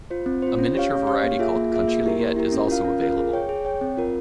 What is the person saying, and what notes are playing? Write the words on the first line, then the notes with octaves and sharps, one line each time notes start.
A miniature variety called "conchigliette" is also available.
F4 C5
C4
F4 C5
C#4
G4 C#5 F5
C#4
G4 C#5 F5
A#3
F4 G#4 E5
A#3
F4 G#4 E5
A#3
E4 G4 A#4
A#3
E4 G4 A#4
C#4
F4 A#4 F5
C#4
F4 A#4 F5
G#4
C#5 G5
G#4
C#5 G5
C4
F4 A#4